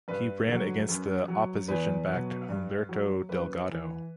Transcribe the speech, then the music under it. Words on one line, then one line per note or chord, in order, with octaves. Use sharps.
He ran against the opposition-backed Humberto Delgado.
G2 B4
D3 F#3
F#2
F#3
E2 B4
B2 F#3
G2
F#3
F#2 B4
E3